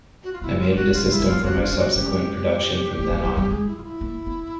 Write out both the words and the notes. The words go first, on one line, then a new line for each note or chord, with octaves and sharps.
I made it a system for my subsequent production from then on.
F#4
F4
B3 E4
C4 F4
G4
C4 F#4
D4 F4
C4
E4
C4
B3 F4
C4 F#4
D4
F4
C#4
F#4
C#4 G4
A3
G#3
G3
G3
G#3 G#4
E4
F4
E4
A#3
B3